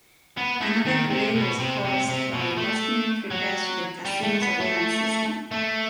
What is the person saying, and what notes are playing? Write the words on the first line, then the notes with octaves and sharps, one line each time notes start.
Another delay was caused by last-minute repairs to the casino surveillance system.
B3
A3
D#3
C3
B2
C3
C3
C3
B2
A3
F#3
G3
A3
B3
A3
A3